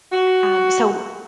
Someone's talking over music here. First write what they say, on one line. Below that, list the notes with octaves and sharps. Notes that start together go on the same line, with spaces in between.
um so,
F#4